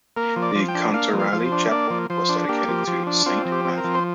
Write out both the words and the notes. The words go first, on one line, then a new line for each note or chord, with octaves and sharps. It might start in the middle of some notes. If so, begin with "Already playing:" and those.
The Contarelli Chapel was dedicated to Saint Matthew.
A#3 A#4
F3
D5
F3
G5
D4
A#3 F5
F3
F5
F3
C5
D4
A#3 D5
F3
F3 C5
D4
A#3 G4
F3
F3
D4
C4 F4
F3
G4
C4
A#4
F3
C5